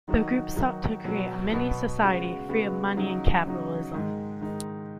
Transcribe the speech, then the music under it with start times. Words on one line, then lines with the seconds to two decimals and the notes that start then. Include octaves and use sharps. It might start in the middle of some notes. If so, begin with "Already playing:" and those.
The group sought to create a mini-society free of money and capitalism.
0.08 D#3 F#3 D#4 F#4
0.56 D#3 F#3 D#4 F#4
1.04 B2 F#3 B3 F#4
1.53 B2 F#3 B3 F#4
2.01 C#3 G#3 B3 F#4
2.49 C#3 G#3 B3 F#4
2.97 C#3 F#3 D#4 F#4
3.46 C#3 F#3 D#4 F#4
3.94 G#2 D#3 G#3 D#4
4.41 G#2 D#3 G#3 D#4